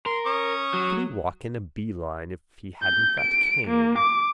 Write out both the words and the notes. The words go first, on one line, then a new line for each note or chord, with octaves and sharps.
Could he walk in a beeline if he hadn't that cane?
A#4 C6
C#4 C#6 D#6
F#3
G6
D7
A#3
D6